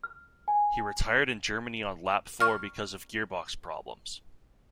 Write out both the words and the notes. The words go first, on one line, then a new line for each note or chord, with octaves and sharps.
He retired in Germany on lap four because of gearbox problems.
F6
G#5
C#6 F6